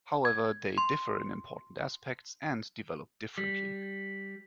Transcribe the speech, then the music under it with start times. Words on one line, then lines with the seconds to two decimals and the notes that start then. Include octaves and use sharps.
However, they differ in important aspects, and developed differently.
0.25 G#6
0.78 C6
3.38 G3